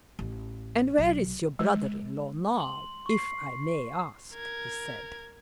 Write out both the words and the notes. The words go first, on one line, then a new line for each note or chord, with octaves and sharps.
"And where is your brother-in-law now, if I may ask?" he said.
A1
B1
G#3
C6 F#7
C#6 C7
A#4 G#6